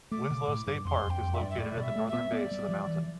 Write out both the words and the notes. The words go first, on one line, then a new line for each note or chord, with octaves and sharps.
Winslow State Park is located at the northern base of the mountain.
A3 D6
B2
A2
G2
F2 C6
F2
G5
F2
E5
G2 D5
E5
A2 D5
B2
E5
A3
B3 E5
B3 D5
G3
F3
E3